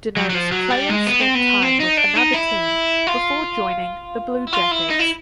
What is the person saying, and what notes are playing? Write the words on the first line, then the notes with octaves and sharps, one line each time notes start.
Denotes player spent time with another team before joining the Blue Jackets.
F#3
F#3
F3
F#3
G3
G#3
B3
C4
B3
C4
D#4
D4
D#4
E4
F4
E4
F4
E4
D#4
E4